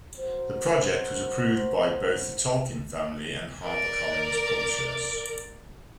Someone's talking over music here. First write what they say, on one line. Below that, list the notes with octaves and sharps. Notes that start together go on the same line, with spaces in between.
The project was approved by both the Tolkien family and HarperCollins Publishers.
F#4 A#4 C5
A#4 D5